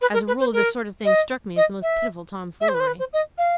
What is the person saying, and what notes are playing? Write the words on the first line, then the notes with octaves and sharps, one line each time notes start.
As a rule this sort of thing struck me as the most pitiful tomfoolery.
B4
A#4
B4
C5
A#4
D#5
D#5
E5
E5
C5
B4
C5
B4
C5
D#5
F5